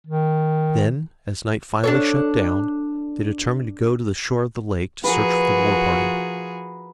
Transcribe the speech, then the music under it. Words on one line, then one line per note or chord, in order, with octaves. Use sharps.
Then, as night finally shut down, they determined to go to the shore of the lake to search for the war-party.
D#3
D4 A4 C#5
F3 F#4 G#4 A#4 B4